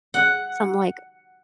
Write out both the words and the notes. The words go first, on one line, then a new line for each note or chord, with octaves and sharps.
some, like,
F#5